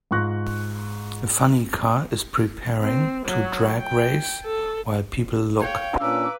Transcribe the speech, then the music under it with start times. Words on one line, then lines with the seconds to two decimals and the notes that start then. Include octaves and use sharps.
A funny car is preparing to drag race while people look.
0.11 G#2 F4 C6 C#6 F#6 A#6
2.81 C4
3.26 F#3
3.80 G5
4.44 A4
5.61 C#5 F5 G5
6.00 A#2 C#4 D4 B4 A#5 D6 E6